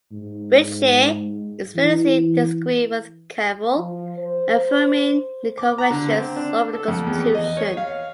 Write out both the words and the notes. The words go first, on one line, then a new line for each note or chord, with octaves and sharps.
Fritzsche explicitly disagreed with Kavel, affirming the Confessions over the constitution.
G#2
E3
F3
C5
D6
A#5
D3
C4
D4
A4
F2
E2
D#5
C#5
F5